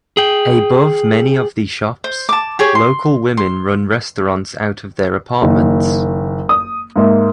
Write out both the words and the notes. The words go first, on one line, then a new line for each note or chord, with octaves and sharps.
Above many of the shops, local women run restaurants out of their apartments.
G#4 G5
C5
A5 D6
G4 G#4 C#5
C6
C6
F#1 D#3
D#6
G#2 A#3 E5